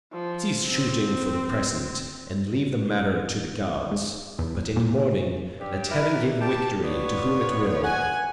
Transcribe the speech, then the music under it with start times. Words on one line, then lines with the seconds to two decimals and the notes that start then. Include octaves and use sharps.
Cease shooting for the present and leave the matter to the gods, but in the morning let heaven give victory to whom it will.
0.12 F3
0.65 C4
3.91 G#2
4.39 E2
4.76 A#2
5.59 G2 G4
5.91 E4 A#4 B4
6.40 G4 A5
6.83 B3 D4 F4 C#5
7.83 F#5 G#5